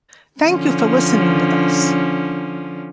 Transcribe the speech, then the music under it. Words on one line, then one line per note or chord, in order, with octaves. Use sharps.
Thank you for listening with us.
D3 F3 C#4